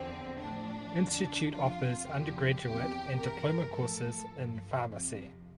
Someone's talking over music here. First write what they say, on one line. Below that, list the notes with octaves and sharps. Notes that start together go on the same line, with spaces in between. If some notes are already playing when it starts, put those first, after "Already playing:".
Institute offers undergraduate and diploma courses in pharmacy.
Already playing: E2 D3 F3 C4
A2 F3 D4
E2 D3 F3
F2 C3 F3 F4
E2 D3 F3 G4
E2 C3 F3 G4
G2 E3 A#4
A2 F3 A4
G2 F3
F2 C3 F3